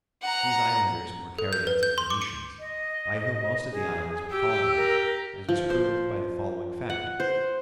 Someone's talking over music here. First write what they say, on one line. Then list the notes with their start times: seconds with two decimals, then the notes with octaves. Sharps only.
These islanders were Carians and Phoenicians, by whom most of the islands were colonized, as was proved by the following fact.
0.22 F#5 A#5
1.38 A4
1.53 G6
1.67 B4
1.83 G6
1.98 C6
2.10 D6
2.22 C#7
2.59 D#5
3.72 G#4
4.31 G4 E6
4.76 A#4
5.49 F3
5.70 C5
6.90 F#5
7.20 C5